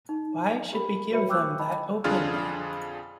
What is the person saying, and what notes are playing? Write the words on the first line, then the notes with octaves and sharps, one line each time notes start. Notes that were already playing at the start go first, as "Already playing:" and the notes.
Why should we give them that openly?
D#4
G4 A#4 B5
F#4 B4 C#5 E5 B5 C#7
G5 C#6 D6 E6 F#6 G6
D#5 G5 A5 B5
F2 D3 D4 F4 G#4 F6